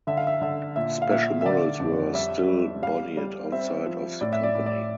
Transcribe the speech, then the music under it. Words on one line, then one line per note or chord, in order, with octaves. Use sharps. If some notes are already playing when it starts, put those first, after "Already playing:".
Special models were still bodied outside of the company.
D3 E5
F5
E5
D3 E5
A#2 E5
F5
A#2 E5
E5
D3 D5
F2
G3 E5
G3
G3 F5
G3
C4 E5
F3
A2 D5
E5
D5
A2
D5